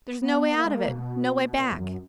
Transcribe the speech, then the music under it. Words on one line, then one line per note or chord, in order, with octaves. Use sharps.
There's no way out of it, no way back.
B3
A#3
G#3
A#3
B2
A#2
E2
F#2